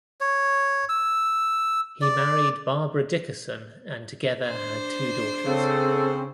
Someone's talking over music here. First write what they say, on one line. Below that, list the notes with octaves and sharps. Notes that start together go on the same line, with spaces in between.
He married Barbara Dickerson and together had two daughters.
C#5
E6
D5
D4 C5
C#3 C4 A4